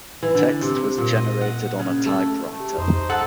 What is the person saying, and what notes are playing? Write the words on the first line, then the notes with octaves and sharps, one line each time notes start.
Text was generated on a typewriter.
E3
D3
C3
A#2
D#5
F#5
C#3
A3
A3
G4
F2 D#4 C5
F#2 A4 F#5